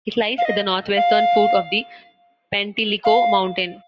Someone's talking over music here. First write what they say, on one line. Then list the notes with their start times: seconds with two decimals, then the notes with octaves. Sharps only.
It lies at the northwestern foot of the Penteliko Mountain.
0.38 F5
0.45 D#5
0.97 F5
3.04 F5